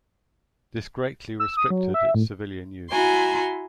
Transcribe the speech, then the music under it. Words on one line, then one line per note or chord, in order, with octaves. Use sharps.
This greatly restricted its civilian use.
E6
D#6
F#3
E5
A2
E4 F#4 G#5 A#5 C6